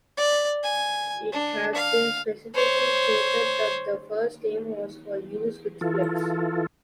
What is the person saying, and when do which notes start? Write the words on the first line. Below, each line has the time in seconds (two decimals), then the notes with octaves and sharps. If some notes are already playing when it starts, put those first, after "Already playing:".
It has been specifically stated that the first aim was for use with Flex.
0.18 D5
0.63 G#5
1.33 D4
1.75 F5
2.55 C5 C#5
5.81 E3 F4 A4